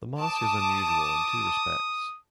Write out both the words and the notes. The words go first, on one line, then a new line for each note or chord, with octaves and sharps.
The mosque is unusual in two respects.
A5 D6 D#6